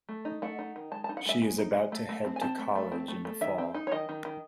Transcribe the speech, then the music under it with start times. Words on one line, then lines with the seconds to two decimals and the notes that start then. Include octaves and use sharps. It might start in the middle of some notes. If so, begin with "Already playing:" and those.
She is about to head to college in the fall.
0.09 A3
0.25 D#4
0.42 A3 F#5
0.59 D#4
0.76 D#3
0.92 G#3 A5
1.04 A5
1.09 D#4
1.17 F#5
1.26 G#3 E5
1.42 G#3
1.58 D#4
1.75 G#3
1.92 A3
2.09 A3
2.25 C4
2.36 G#5
2.41 C4 A5
2.59 A3
2.75 A3
2.92 C4
3.08 A3
3.25 A3
3.41 D#3 E5
3.58 C4
3.74 D#4
3.87 C#5
3.92 D#3 D#5
4.09 D#3
4.25 D#3